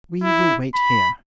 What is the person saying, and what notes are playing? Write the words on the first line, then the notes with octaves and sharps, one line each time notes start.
"We will wait here."
E4
B5